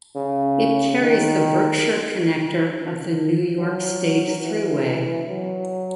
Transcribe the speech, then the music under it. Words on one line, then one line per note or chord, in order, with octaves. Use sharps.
It carries the Berkshire Connector of the New York State Thruway.
C#3
D#3
F#3
E3
F#3